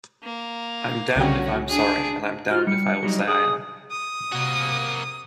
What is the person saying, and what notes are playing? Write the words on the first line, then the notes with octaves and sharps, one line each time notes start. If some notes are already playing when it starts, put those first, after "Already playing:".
I'm damned if I'm sorry and I'm damned if I will say I am.
A#3
C2 D3 C#4 F#4 G5
D4 G#4
F4 F#4 F6
G3 C#7
F#3 G3 D#4
G#4 D#6
D#6
C3 A#3 F#4